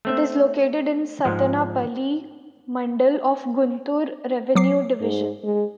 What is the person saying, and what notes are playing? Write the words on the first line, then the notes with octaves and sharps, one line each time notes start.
It is located in Sattenapalle mandal of Guntur revenue division.
A3 C4 E5
G#2 F3 G#3
F#3 D6 C7
G#2
G#3